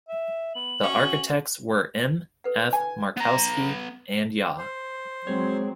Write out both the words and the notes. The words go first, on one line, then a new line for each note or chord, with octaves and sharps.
The architects were M. F. Markovsky and Ya.
E5
B3 F#7
C#4 F#4
A4 B4 F#5
G#5
B3 A#5
C5
F#3 G#3 C4 G#4 C#5